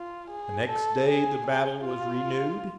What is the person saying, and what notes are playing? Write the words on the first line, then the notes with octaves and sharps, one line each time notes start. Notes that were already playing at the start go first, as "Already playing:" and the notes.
The next day the battle was renewed.
Already playing: F4
G#4
A4
G#4
G#4
F4